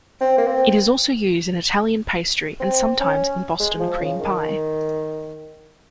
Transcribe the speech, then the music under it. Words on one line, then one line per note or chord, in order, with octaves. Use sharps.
It is also used in Italian pastry and sometimes in Boston cream pie.
C4
A#3
C4
C4
C#4
G#3
F3
C#3
D#3